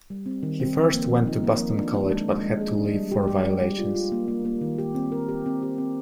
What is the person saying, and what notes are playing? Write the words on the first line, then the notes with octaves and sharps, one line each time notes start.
He first went to Boston College, but had to leave for violations.
G3
C4
D#3
C4
F3
A#3
F3
D#4
A#3
F3
D4
D4
G#3
G#3
G#3
G#4
D4
G3
G4
G3
G4
G3
F4
F4
A#3
A#3
A#3
D#3
G4
C4
A#4
G4
C4
G4
C4